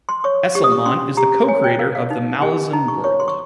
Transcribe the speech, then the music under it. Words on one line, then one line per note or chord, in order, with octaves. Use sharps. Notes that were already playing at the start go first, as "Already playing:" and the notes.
Esslemont is the co-creator of the Malazan world.
C6
C#5 C#6
G4 C#6
D#6
C#6
C#4 C6
G4 A#5
C#5 G#5
G5
A#4 F5
F5
D#4
G4 G#5
D#4 A#5
C#6
C#5 C#6
C6
C#6